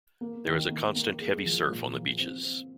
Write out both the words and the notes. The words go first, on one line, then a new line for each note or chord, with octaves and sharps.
There is a constant, heavy surf on the beaches.
A#3
D#3
A#3
A#3
G#3
F3
A#2
F3
C4
C4